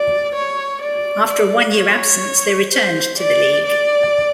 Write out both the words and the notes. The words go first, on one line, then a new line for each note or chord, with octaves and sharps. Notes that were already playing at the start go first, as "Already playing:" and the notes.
After a one-year absence, they returned to the league.
Already playing: D5
C#5
D5
D5
C#5
C5
D5
D5